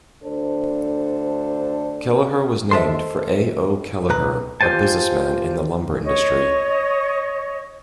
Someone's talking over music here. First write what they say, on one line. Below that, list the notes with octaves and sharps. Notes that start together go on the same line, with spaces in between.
Kelliher was named for A. O. Kelliher, a businessman in the lumber industry.
D2 D4 A4 C5
A4 C5 D#5 E5 A5 C6
B1 B4 A#5
F4 G4 C5 G#5 A5
C#5 D#5 C#6